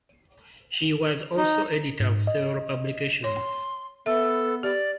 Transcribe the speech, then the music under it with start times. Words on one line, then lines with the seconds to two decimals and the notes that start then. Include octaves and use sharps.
She was also editor of several publications.
1.37 D#4
2.00 G#2
2.27 D#5
3.24 C#5 C6
4.06 B3 A4 E5
4.63 G4 D5